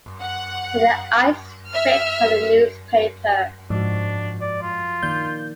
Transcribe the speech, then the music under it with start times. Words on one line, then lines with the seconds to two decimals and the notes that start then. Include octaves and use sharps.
With the eyes fixed on the newspaper.
0.21 F#5
1.70 E5 F6
3.70 G#2 F3 D4 F#4
4.41 D5
4.62 F4
5.03 D#3 A#3 D5 G6